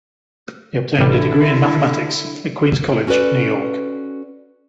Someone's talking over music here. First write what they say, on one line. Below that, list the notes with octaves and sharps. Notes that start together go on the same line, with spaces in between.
He obtained a degree in mathematics at Queens College, New York.
A1 D3 G3 E4
C#4 F#4 A4 B4 D5